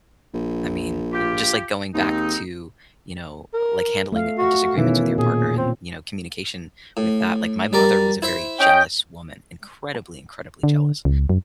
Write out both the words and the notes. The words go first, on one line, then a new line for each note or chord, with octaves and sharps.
I mean, eh, just like going back to, you know, like, handling, uh disagreements with your partner, and, you know, communication with that like, my mother was a very jealous woman, incredibly, incredibly jealous,
A#1
F4 G4
D#2 G#3 C4 D#4
A#4
A3 F5
F#4
B2 D#3 E3 C#4
A#2 G#4
C4
A2
G3 A#4 D5
E4 C5 E5
C#4 D#5 G5
D3
C#2
F#2